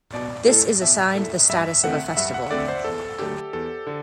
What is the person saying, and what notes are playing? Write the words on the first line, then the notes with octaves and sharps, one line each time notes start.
This is assigned the status of a Festival.
B2 D5
A3 E4 A4
B2 E5
A3 E4 A4
G2 E5
D3 A3 C4 F#5
G2 E5
F#5
D3 A3 C4 D5
C5
E2 A4
D3 F#3 A3 G4
E2 A4
D3